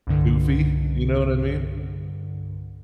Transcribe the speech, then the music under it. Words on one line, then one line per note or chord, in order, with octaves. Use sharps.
goofy, you know what I mean?
C2 G2 D3